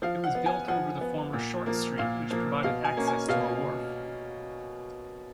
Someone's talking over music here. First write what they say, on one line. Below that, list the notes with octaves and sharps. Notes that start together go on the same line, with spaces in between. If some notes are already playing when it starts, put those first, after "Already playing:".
It was built over the former Short Street which provided access to a wharf.
F3 F5
F#5
B3
G#5
F3 F#5
B3
A#2
F3 A#3
A#2 F5
F3 A#3
B2 F5
G#5
A#3 C#4
G#5
B2 F5